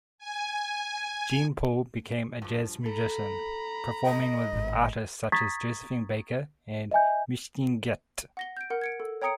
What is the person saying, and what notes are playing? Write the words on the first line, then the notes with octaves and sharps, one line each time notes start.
Jean-Paul became a jazz musician, performing with artists such as Josephine Baker and Mistinguett.
G#5
G2 F3
A4 A#5 B5
D#5
G#1 A2
A#5 C#6 D#6 G#6 A6 B6
D#5 E5 G#5 G6
F#5 A#6 G7
G6 D7
A#4 F#5
G#6 C#7 D7
A4
C#5 G5 A#5 D#6 C#7 D7